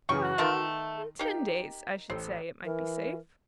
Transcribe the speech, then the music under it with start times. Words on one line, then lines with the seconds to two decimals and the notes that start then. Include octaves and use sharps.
"Well--in ten days, I should say, it might be safe."
0.09 F#2 C#3 E3 G5 C#6
0.38 D#3 A3 B3 A#4 C6
1.19 A#3 D#4 G4
2.10 A1 C4 A4
2.65 E3 A#4